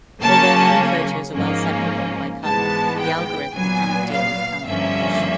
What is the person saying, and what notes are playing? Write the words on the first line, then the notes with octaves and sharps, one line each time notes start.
Although many photos are well-separable by color, the algorithm cannot deal with camouflage.
C#3 F#3 A#3 C#4 A5
G#2 F3 A#3 C#4
G#2 E3 G#3 B3 A5
G5
A#2 F#3 B3 G#5
F5
G2 D3 F3 A#3 C#4 E5